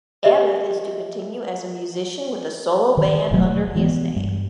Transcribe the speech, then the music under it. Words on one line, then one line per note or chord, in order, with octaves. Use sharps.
Abbath is to continue as a musician with a solo band under his name.
G4 D#5 E5
D#3
D#1 B2 F#3 A3
E3 G#3 A#3 B3
G2